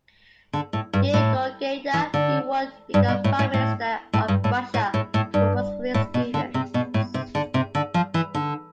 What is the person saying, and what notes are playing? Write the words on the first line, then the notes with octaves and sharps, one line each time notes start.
Yegor Gaidar, who would become Prime Minister of Russia, was one of his students.
D3
A2
G2
A2
E3
D3
G2
B2
A2
A2
A2
A2
G2
A2
A2
A2
A2
G2
A2
B2
D3
C3
B2
A2
C3
D3
C3
D3
F3
E3
D3